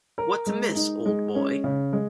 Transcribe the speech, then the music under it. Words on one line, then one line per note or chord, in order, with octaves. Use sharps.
What's amiss, old boy?
A#4
G#3
D#4
G#3
C#4
C#3
G#3